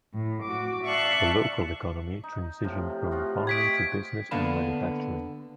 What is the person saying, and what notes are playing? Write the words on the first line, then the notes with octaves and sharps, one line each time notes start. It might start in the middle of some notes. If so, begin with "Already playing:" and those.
The local economy transitioned from farming to business and manufacturing.
A2
F#4 D6
D5 E5 F5 A5 C#6 F#6
D#4
A2 C3 F3
F3 F4 F#4
G4 C#5 D#5 G#6 B6 D7
D3 A#3 B3 F5 A5 B5